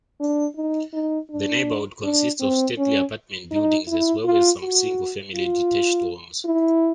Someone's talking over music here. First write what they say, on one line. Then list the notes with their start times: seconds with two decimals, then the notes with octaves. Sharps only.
The neighborhood consists of stately apartment buildings as well as some single-family detached homes.
0.20 D4
0.56 D#4
0.93 D#4
1.30 D4
2.03 D4
2.41 C4
2.78 C#4
3.51 D#4
3.88 E4
4.25 F4
4.61 F#4
5.35 F4
6.45 E4